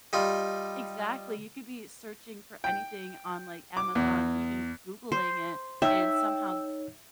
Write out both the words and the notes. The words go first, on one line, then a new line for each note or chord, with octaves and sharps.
Exactly. You could be searching for anything on, like, Amazon, even Googling it, and somehow
G3 D#4 F4
G5
D6
E2
C5
D#4 C#5 E5 G5 E6